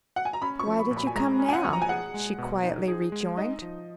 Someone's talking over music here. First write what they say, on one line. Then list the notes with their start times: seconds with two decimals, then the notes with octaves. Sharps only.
"Why did you come now?" she quietly rejoined.
0.16 F#5
0.25 G#5
0.33 A#5
0.42 C#4 B5
0.59 C#6
0.67 F3
0.79 B5
0.91 A#2
0.97 B5
1.07 G#5
1.16 G#3 A#5
1.40 C#4
1.49 G#5
1.53 F#5
1.64 F3
1.73 A#5
1.82 G#5
1.89 G#4 F#5
2.14 G#3
2.38 B2
2.63 D#4
2.88 G#4
3.12 G#3
3.37 D#4 D#5
3.62 F3